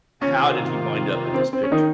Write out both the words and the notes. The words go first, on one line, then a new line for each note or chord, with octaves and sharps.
"How did he wind up in this picture?"
C3 D#3 A#3 C#4 F4
C4
C4
C#4
D#3 D#4